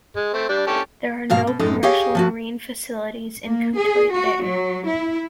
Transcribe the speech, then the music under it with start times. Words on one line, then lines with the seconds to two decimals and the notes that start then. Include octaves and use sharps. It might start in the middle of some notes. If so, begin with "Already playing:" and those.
There are no commercial marine facilities in Cotuit Bay.
0.16 G#3
0.34 A3 C4
0.49 G3 D4
0.67 C#4 G4 A4
1.30 G#2 B2 F5 A#5
1.47 B2
1.59 F#2 A2 G#3 D#4 A4
1.83 G4 G#4 C#5 D#5 F5
2.15 F3 B3 F#4
3.45 A#3
3.76 G#4
4.13 F#4
4.45 F#3
4.87 E4